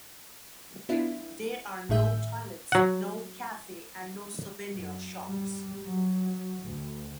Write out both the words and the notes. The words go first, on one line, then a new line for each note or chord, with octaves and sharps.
There are no toilets, no cafe and no souvenir shops.
B3 D4 E4 F4
G#1 A2 D#3 G#4 E5 G6
F#3 F#5
F#2
G3
F#3
D2